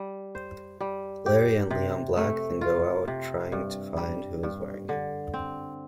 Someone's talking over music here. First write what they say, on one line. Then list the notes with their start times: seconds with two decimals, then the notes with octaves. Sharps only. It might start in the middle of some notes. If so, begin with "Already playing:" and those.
Larry and Leon Black then go out trying to find who is wearing it.
Already playing: G3
0.35 C5
0.81 G3
1.26 G4
1.70 C3
2.17 A3
2.61 F4
3.08 C3
3.52 G2
3.97 G3
4.43 G2
4.89 D3
5.34 C4